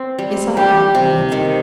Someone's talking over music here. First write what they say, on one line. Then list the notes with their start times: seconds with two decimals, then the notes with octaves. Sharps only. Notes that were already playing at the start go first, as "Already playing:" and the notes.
"Yes; I am," I answered.
Already playing: C4
0.19 G3
0.56 G3 G4
0.95 C3
1.32 D#3